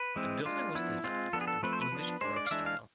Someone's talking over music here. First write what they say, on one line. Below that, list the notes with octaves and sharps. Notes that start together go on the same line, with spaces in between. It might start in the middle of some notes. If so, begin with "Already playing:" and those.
The building was designed in the English Baroque style.
Already playing: B4
E3 G#3 C4
G#3 D4 F4
F3 B3 D4 E4
G#3 C4 F4
F3 B3 D4 A4
G#4
A4
F3 A3 C4 B4
C5
B4
F3 B3 D4
G#3 D4 C5
D5
F5
E3 G#3 D4 E5
F5